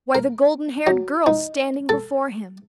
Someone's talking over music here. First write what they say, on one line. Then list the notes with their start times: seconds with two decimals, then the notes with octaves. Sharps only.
Why, the golden-haired girl standing before him.
0.15 A#4
0.87 F#3
1.26 D#4
1.89 A4